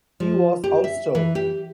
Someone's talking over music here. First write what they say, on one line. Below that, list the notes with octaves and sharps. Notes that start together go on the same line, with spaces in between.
He was austere.
F3
G4
E5
E3
G4